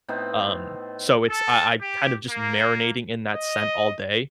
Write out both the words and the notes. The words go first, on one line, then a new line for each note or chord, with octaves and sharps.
um, so it's I I kind of just marinating in that scent all day.
A2 B3 C4 D#4
A4
G4
A#3
D#5